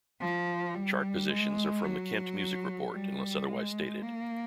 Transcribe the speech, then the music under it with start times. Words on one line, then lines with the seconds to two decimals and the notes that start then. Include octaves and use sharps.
Chart positions are from the Kent Music Report unless otherwise stated.
0.20 F3
0.75 G3
1.29 G#3
1.84 F#3
2.93 G3
3.48 G#3
4.03 A#3